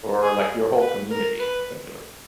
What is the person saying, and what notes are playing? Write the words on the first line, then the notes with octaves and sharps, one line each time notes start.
for, like, your whole community, essentially.
G#4
B4
A#4
B4